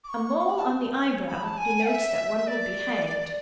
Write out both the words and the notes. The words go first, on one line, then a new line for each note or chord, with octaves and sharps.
A mole on the eyebrow denotes that one will be hanged.
D6
C#6
C#6
B5
A5
B5
A5
G#5
E5
E5
D5